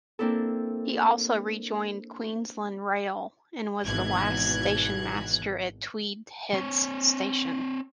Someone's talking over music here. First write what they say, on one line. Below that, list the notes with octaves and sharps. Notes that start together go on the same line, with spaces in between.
He also rejoined Queensland Rail and was the last stationmaster at Tweed Heads station.
A#3 C4 D4 E4 A4
G#1 B2 E3 F#6 G#6
C4 C#5